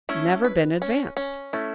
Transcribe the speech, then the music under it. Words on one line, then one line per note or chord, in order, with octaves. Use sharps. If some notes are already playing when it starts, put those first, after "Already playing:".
Never been advanced.
A3 C#4 E4
B4
C#4
C#4
A3 C#4 E4